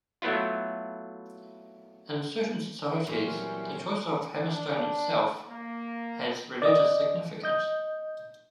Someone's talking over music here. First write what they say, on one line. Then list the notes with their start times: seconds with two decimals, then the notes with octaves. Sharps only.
In certain societies, the choice of hammerstone itself has religious significance.
0.22 F#3 A3 B3 E4 F4
3.07 A#2 E3 F#3 G3 C4 C#4
4.47 D4
5.49 A#3
6.62 D5 D#5
7.43 D#5 G6